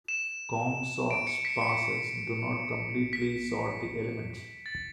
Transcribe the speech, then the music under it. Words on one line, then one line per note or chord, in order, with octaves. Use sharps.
Comb sort's passes do not completely sort the elements.
E7
D7
C#7
B6
C#7
B6
A6